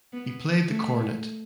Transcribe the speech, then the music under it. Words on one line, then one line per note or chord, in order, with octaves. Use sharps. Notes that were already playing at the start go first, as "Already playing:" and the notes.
He played the cornet.
B3
A3